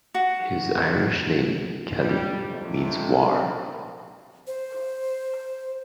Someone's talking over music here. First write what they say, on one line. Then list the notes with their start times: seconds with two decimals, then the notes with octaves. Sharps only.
His Irish name, Kelly, means "War".
0.14 F#4
1.97 G3
2.48 F2 C3
4.47 C5